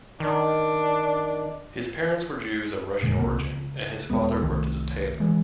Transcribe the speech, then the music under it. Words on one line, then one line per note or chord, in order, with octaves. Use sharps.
His parents were Jews of Russian origin and his father worked as a tailor.
D#3 D4
F1 A#2 D3 G#3
C2 A#3
C#2
D#1 G2 G#3 B3
C2 D#3 A3
E3 G#3